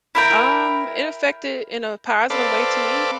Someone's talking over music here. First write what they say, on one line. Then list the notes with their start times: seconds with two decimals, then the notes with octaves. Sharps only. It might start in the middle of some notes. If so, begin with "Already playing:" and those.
Um, it affected in a positive way to me,
0.15 E4 A#4 G5
2.30 C4 A4 B4 D5 F5